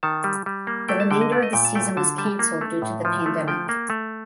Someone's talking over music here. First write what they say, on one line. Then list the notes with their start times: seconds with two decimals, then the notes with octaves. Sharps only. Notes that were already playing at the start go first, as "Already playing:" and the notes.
The remainder of the season was cancelled due to the pandemic.
0.03 D#3 A5
0.24 G3
0.46 G3
0.67 A#3
0.89 A3 G5
1.00 A5
1.11 D3 G5
1.21 D#5
1.32 A3 D5
1.43 D#5
1.53 A#2 G5
1.65 A5
1.75 A3 G5
1.97 D3 A5
2.18 G3 A5
2.39 A#3
2.61 A3
2.82 A2
3.05 F3
3.26 A3
3.47 F3 G5
3.69 A#3
3.90 A3